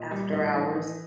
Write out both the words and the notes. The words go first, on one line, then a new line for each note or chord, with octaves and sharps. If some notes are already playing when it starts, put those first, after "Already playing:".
after hours.
Already playing: A#2 D#5
G3
A2 D#5
E3
E3